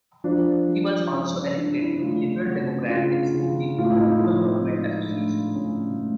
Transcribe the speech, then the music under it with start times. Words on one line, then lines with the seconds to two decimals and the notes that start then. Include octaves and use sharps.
He was also elected to the Liberal Democrat executive on the Local Government Association.
0.24 F3 D4
0.68 F3
1.13 F3 C#4
1.35 C#4
1.57 F3 D4
1.79 E4
2.01 A3 F4
2.45 C#3 F#4
2.89 C#3 F4
3.34 C#3
3.78 A2 F4
3.90 E4
4.00 D#4
4.12 E4
4.22 F3
4.67 G#3 D#4
5.11 A2 D4
5.55 A2 C#4
5.99 A2